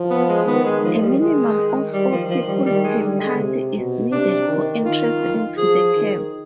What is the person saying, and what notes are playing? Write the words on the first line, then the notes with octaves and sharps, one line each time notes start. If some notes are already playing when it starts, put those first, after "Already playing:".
A minimum of four people per party is needed for entrance into the cave.
Already playing: F3
B3
G#3
D#3 B3
G#3
D#3 F3
G3
G#3
G3
F3
F3
G3
D#3 G3
G#3
D3 G3
G#3
C3
B2
C3 D4
D#3
D#3 F4
F3 G#4
D#3